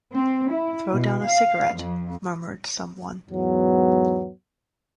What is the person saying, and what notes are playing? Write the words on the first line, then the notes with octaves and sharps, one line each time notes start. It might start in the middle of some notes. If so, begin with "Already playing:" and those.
"Throw down a cigarette," murmured some one.
C4
E4
B2
F5
F2
E2 G#2 F#3 B3